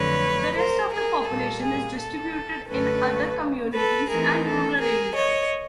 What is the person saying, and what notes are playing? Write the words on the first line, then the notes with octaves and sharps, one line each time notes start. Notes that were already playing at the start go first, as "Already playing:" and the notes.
The rest of the population is distributed in other communities and rural areas.
Already playing: F2 D3 F#3 A3 B4 C#5
A#4 C5
G#4 A#4
A#2 G3 A#3 A4
G#4
A4
F#2 D3 F#3 A3 C#4 A4 B4
A4 B4
E3 A3 C4 D#4 G#4 A#4
A4
G#4 A#4
C#5 D#5